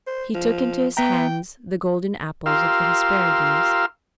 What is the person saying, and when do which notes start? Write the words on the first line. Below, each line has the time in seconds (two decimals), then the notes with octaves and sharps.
He took into his hands the golden apples of the Hesperides.
0.07 C5
0.35 F3
0.97 B3 E5 G5 A#5
2.46 F4 G4 A#4 F5 C6 E6